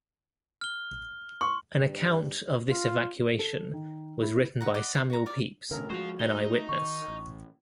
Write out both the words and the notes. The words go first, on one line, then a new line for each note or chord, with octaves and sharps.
An account of this evacuation was written by Samuel Pepys, an eyewitness.
F6 G7
C6 C#6
G2
F4
A4
D#3
E4
B4 F#5 A#5
D5 D#5 F#5 B5
C5
F#4 A#5
A#4 C#5 D5
A1 B2 D3 A#4
F3 G#3 F#4 C5 F5
A3 D#4 G7
D#3 C#6
A1